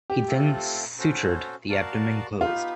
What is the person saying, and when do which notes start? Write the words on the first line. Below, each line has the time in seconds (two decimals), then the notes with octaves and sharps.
He then sutured the abdomen closed.
0.10 G4
0.27 A3 C4 F4 A4
0.99 C#4 F#4 A4 C5
1.69 F#4 A#4 D5 F5 A5
2.41 B3 D#4 F4 G4 B4